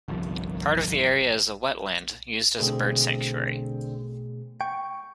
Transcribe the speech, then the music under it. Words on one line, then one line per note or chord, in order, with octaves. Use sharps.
Part of the area is a wetland used as a bird sanctuary.
G1 C2 F3
B2 D3 A3 C4 G#4
G5 C#6